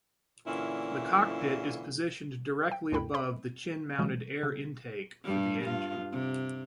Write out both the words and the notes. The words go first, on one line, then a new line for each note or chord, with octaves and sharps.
The cockpit is positioned directly above the chin-mounted air intake for the engine.
A#2 D3 E3 C#4 E4
G5
D2 G2 E4 G5 B5
C5 B5
B2 E3 F#3 G#3
C#3
G2 G3
G2 F4
C3